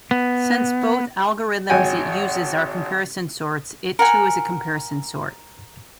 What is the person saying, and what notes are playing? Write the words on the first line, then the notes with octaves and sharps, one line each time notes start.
Since both algorithms it uses are comparison sorts, it too is a comparison sort.
B3
G#1 F#4 C#5 G5 G#5
A#4 F#5 G#5